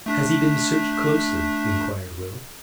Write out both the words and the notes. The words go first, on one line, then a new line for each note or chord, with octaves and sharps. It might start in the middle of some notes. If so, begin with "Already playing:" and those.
"Has he been searched closely?" enquired Will.
A3 D4 B6